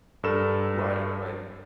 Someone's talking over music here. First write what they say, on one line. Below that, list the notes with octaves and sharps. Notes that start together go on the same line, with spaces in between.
Right, right.
G2 A4 A#4 E7